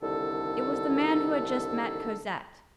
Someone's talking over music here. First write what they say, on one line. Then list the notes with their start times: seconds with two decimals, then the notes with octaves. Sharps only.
It was the man who had just met Cosette.
0.02 C2 D3 D#3 A4